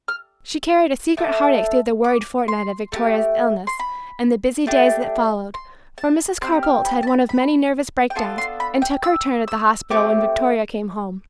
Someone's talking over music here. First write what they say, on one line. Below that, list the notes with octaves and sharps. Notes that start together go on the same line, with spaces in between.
She carried a secret heartache through the worried fortnight of Victoria's illness, and the busy days that followed; for Mrs. Carr-Boldt had one of many nervous break-downs, and took her turn at the hospital when Victoria came home.
F6
A3 D4 A4 D6
D6
C6
A3 E4 G4
C6
B5
A3 D4 G4
C6
A5
C4 G4 C6
F6
B5
A5
B5
B5
G5
B3 D4 F4 A4 A5
C6
B5
G5
E6
E6
A3 C4 G4 D6